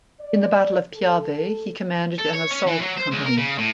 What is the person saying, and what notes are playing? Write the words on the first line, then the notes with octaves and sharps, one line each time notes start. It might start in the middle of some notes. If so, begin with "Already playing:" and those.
In the battle of Piave he commanded an assault company.
D5
A4
A4
C#5
C#4
E3
F#3
C5
C#2
A#4
C#3
A2